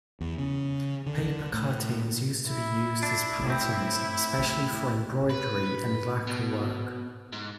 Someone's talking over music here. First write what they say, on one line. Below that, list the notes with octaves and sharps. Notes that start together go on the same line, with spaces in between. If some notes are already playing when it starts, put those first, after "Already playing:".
Papercuttings used to be used as patterns, especially for embroidery and lacquer work.
E2
C#3
D3
A2
E4
D4
A2 C4
B4
B2
G#2